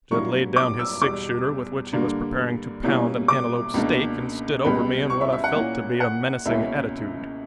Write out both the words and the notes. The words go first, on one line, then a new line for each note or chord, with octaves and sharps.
Jud laid down his six-shooter, with which he was preparing to pound an antelope steak, and stood over me in what I felt to be a menacing attitude.
G2 F#3 A#3 E4 C#6
D6
E6
E2 B2 G3 D6
G2 D3 A#3
B2 G3 A#3 C#4 E4
D6
C#2 B2 A#3 D4
C#2 B2 G3 B3 B5
C#6
E5
E5
F#5
A#2 A#3 C#4 E4
F#5
C#2 B2 A#3 C#4 E4 E5